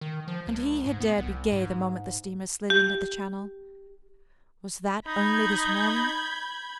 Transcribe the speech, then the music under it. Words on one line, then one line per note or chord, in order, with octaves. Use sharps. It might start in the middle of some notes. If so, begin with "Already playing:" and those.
And he had dared be gay the moment the steamer slid into the channel! Was that only this morning?
D#3
F3
C#2
G#2
B3
C2
G#2
G4
D#4 B5 G6 G#6